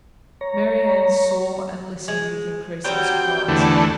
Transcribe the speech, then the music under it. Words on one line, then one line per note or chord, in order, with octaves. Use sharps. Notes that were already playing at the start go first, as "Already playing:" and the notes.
Marianne saw and listened with increasing surprise.
C#5 A#5
G#3
F#3 G3 C4 G5
E2 D3 A3